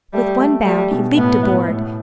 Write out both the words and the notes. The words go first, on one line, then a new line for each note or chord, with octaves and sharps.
With one bound, he leaped aboard.
G3 A3
A3
G3 A3
B2
A2 B3
A2
A2